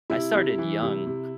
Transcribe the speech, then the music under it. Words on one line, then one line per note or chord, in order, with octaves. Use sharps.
I started young.
C3 E4
C3
E3
C3
C3